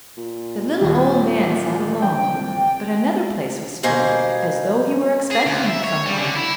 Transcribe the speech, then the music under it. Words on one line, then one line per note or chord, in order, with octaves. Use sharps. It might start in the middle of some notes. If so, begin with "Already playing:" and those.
The little old man sat alone, but another place was spread, as though he were expecting some one.
A#2
D#1 D#2
A#1 G5
C2
G2 B2 A#3 C5 G#5
G#4
D2
E5
C#5
G3
D3
E4